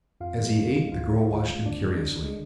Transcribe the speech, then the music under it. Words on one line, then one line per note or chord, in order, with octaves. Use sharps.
As he ate, the girl watched him curiously.
F2 F4 F5
D3 F3 G#3
F2
D3 F3 G#3
D2 F4 F5
D3 G#3
D2
D3 G#3
D#2 D4 D5
D3 G#3
D#2
D3 G#3